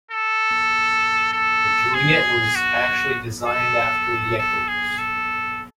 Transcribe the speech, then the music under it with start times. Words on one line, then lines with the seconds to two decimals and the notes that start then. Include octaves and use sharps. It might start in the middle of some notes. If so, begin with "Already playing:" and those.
The Juliett was actually designed after the Echos.
0.11 A4
1.33 A4
1.94 G#4
2.55 F#4
3.46 A4
4.38 A4
4.68 G#4
4.98 A4